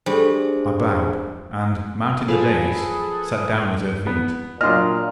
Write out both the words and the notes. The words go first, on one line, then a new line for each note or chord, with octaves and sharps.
I bowed, and, mounting the dais, sat down at her feet.
G3 A3 D4 G#4 C5
F3 G#4 A4 B4 F5
B3
A#2 F#3 D4 D#5 C6 F6